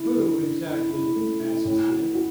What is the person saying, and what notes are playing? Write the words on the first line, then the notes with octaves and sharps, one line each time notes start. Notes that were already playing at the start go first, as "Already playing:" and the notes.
"Who, exactly?" asked Smith.
Already playing: D3 E4
D3
D3
E4
E4
A3
E4
A2
F#4
F#4